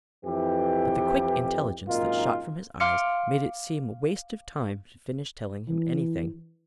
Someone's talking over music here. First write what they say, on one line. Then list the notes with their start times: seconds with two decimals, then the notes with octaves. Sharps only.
But the quick intelligence that shot from his eyes made it seem waste of time to finish telling him anything.
0.24 F2 E3 G4
1.87 G#1 F#2 A#2 D#4 F4 A#4
2.80 F5 C6 D6 F6 C#7 D7
5.68 E3